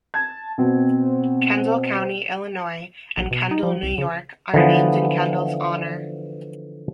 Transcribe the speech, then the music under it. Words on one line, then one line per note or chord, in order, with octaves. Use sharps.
Kendall County, Illinois, and Kendall, New York, are named in Kendall's honor.
A5 G#6
B2 C4
A#1
B2
D#4
F3
C2
C#3
D3 E3 F3 B3